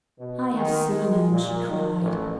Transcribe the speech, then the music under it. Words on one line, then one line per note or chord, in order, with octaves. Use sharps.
"I have seen him!" she cried.
B2
D#3
G#3
A#2
D#3
A1